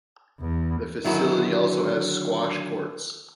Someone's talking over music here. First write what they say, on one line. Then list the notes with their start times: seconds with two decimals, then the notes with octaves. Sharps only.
The facility also has squash courts.
0.40 E2
1.04 D3 D#3 F#3 E4 F#4 G#4